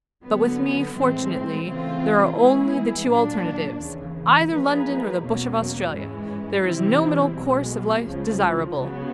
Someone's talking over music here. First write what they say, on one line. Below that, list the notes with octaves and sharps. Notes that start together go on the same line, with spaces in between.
But with me, fortunately, there are only the two alternatives, either London or the bush of Australia--there is no middle course of life desirable.
D3 F#3 B3
A2 E3 G#3 C4
C#3 E3 A3 C4 F4
E3 G#3 B3 E4 G#4
A#2 F#3 A#3 D4
D#2 C#3 E3
F3 A#3 D#4 G#4 B4
E2 B2 F#3 A#3 C#4
G#2 E3 G#3 C#4
C3 E3 G3 C4 E4
B1 B2 G#3
C#2 C#3 F3
C#3 F#3 B3